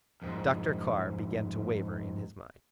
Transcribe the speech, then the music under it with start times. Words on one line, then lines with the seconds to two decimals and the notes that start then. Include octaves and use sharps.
Dr. Carr began to waver in his mind.
0.22 F2 G#2